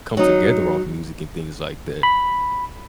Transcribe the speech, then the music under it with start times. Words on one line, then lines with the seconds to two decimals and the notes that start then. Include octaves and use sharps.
come together off music and things like that,
0.17 F#3 D#4
2.03 B5